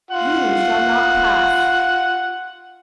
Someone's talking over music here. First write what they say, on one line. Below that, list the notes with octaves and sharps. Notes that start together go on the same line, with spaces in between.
"You shall not pass!"
F4 F#5